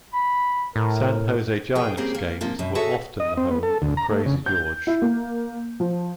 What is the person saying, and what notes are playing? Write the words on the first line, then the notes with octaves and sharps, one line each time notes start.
San Jose Giants games were often the home of Krazy George.
B5
A2 A#4
G#4 G5
C#3 G#3 A#3 C4 G4 G#4
A#3
C3 F3 A#3 F4
F#2 B2
F#4 G#4 A4 C#5 E5
D#5
C4
B3
A4
D2
A#5
A3
C#3
G6
E4
A#3
F3